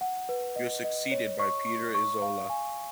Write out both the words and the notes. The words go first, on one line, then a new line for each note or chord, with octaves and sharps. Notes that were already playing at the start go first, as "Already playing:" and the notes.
He was succeeded by Peter Isola.
F#5
B4
D#5
D#5
C#5
C#6
C#6
C#6
F5
G#5